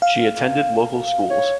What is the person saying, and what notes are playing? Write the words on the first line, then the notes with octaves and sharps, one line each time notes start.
She attended local schools.
F5
C#5